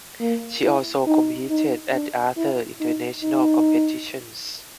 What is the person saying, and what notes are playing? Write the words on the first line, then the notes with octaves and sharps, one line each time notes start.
She also competed at other international competitions.
A#3
E4
D#4
D#4
D4
E4
D#4
D#4